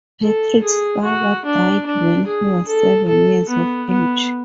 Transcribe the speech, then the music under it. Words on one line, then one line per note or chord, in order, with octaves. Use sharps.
Patrick's father died when he was seven years of age.
A4
G#4
F#4
D4
D4
G#4
A4
A4
B3
B3